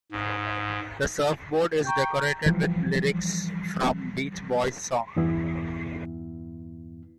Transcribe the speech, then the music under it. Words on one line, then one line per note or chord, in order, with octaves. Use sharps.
The surfboard is decorated with lyrics from Beach Boys songs.
G#2
G5 A#5 C#6 G6
E3 F3 G3
E2 G2 E3 B3 E4